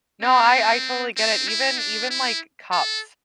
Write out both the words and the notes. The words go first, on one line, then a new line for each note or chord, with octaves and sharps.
No, I I totally get it, even even like cups.
C4
C4
E4
D4
E4
A4